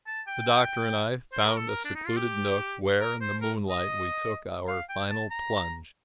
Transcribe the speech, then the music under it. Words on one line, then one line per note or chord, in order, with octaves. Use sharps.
The Doctor and I found a secluded nook, where in the moonlight we took our final plunge.
A5
G5
C5
A#4
A4
A#4
D4
D#4
F4
G4
A#4
C5
A#4
D#5
F5
G5
A5
A#5